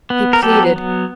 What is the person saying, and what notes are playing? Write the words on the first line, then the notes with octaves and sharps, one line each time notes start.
He pleaded.
B3
A#4
F#3 G4 A4
B3